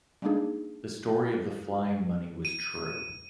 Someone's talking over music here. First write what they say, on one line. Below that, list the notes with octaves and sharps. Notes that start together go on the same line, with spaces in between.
The story of the flying money was true.
G3 G#3 A#3 D4 D#4 G#4
D#7